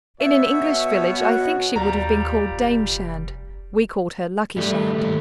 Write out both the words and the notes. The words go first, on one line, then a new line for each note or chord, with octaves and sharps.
In an English village I think she would have been called Dame Shand: we called her Luckie Shand.
B2 C#5 E5
F#4
D#2 A#2 G3 A#5
F1
G2 G3 A3
D#2 D#3